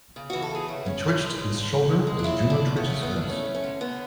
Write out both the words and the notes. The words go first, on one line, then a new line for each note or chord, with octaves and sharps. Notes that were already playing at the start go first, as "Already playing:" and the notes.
He twitched his shoulder as Juno twitches hers.
C#3
E3 F#4
A4
A3 G#4
C#3 E4
C#3 C#4
E3 D4
G#3
G#3
D3
D3
G#3
G#3
D4
C#3 E4
E3
D4
A3
C#3 B3
C#3 A3
B3
E3
D4
A3 C#4
A3
C#4
D3
D3 B3